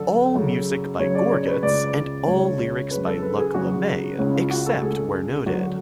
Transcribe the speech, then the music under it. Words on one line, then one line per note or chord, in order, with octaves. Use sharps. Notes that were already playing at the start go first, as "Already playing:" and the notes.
All music by Gorguts and all lyrics by Luc Lemay, except where noted.
Already playing: F#2 D3 A4
F#2 C#3
F#2 C#3 C#5
D5
C#5
B4
C#2 C#3 D5
C#2 C#3 C#5
F#2 C#3 B4
A4
B4
G#4
F#2 C#3 F#4
C#2 C#3 C#4
F4
F#4
A4
C#2 C#3 G#4
F#2 D3 F#4